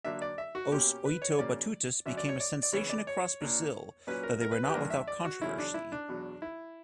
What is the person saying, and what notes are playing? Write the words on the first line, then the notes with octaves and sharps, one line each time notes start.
Os Oito Batutas became a sensation across Brasil, though they were not without controversy.
D3 F#3 A#3 D4 E5
D5
E5
F#4
B2 A#3 C#4 G4
B4
C#5
C#3 F#3 A#3 C#4 D5
D3 F#3 C#4 E5
D5
C#5
D5
D5
C#3 E3 B3 C#5
D5
C#5
A#2 A#3 D4
A#2 F#3 C#4 B4
A#4
A#4
B4
B4
G4
G2 E3 A#3 D4 A#4
E5
D5
F#4
E2 C#3 F#3 C#4 E4
D4
E4
D4
E2 B2 F#3
E4